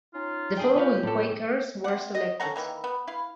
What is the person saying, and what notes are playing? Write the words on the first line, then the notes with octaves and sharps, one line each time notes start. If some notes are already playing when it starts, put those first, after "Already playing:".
The following Quakers were selected.
C#4 D#4 F4
D4 G#4 G5
C#4 F4 G4 B4 C#5 F5
A2 A4
C3 F#5
D#5
C#4 A4 F#5 A#5
D#3 E3 A#3
B3
E4 F5